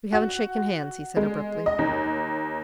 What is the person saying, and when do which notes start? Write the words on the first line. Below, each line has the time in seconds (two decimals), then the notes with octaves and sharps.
"We haven't shaken hands," he said, abruptly.
0.13 F#4
1.17 G#3
1.66 D#5
1.79 D#2